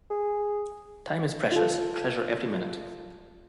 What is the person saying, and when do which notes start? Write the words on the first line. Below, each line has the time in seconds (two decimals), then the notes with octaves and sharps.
Time is precious, treasure every minute.
0.10 G#4
1.52 F4 A4